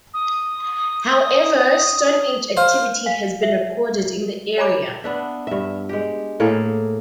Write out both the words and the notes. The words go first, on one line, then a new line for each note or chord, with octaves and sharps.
However, Stone Age activity has been recorded in the area.
D#6
C5 F5
F5 G#5
E5
C#5 G#5 A#5 B5 D6
B3 D4 E5
G2 E5
G#3 G4
A2 A#3 G#4 A4